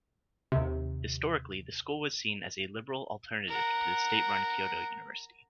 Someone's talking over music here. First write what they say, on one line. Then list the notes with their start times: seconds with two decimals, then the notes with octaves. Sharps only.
Historically, the school was seen as a liberal alternative to the state-run Kyoto University.
0.52 D#2 C3
3.48 A#4 F#5